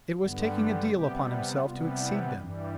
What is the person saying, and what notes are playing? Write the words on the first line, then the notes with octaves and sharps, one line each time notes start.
It was taking a deal upon himself to exceed them.
G2 D3 G3 B3
C3 G3 B3 G4
C3 G3 B3 F4
E4
G2 E3 G3